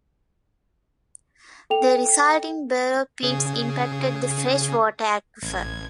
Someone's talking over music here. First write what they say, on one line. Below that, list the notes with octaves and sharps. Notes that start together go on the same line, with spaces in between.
The resulting borrow pits impacted the fresh-water aquifer.
A4 G5 F7
C#3 G#4
A1 G#6